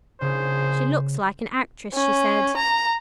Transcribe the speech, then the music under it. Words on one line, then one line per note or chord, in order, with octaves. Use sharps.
"She looks like an actress," she said.
A#1 C#3 G#4 C5
C#4
A#5